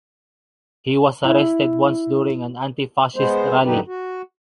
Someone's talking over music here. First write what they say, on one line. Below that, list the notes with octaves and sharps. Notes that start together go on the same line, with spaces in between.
He was arrested once during an anti-fascist rally.
E4
G#3 B3 C5
F#2 D3 F#3 D#4 G4 B4
F#4